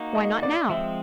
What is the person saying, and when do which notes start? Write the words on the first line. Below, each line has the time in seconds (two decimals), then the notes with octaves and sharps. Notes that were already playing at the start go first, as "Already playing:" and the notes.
Why not now?
Already playing: A#3 D#4 F#4
0.15 D#5
0.43 D5
0.69 F3 G#3 C4 E5